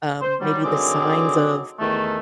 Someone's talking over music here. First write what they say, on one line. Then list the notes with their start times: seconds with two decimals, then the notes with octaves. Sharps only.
Um, maybe the signs of
0.21 C5
0.41 F#3 G3
0.64 D3 D#3 F#3 C4 G#4 D6
1.79 E2 D#3 A3